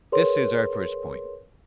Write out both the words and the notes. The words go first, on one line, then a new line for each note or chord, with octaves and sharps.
This is our first point.
G#4 A#4 B4 C#5 C6